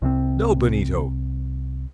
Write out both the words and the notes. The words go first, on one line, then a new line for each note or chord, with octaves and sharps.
No, Benito!
C2 C3 E3 C4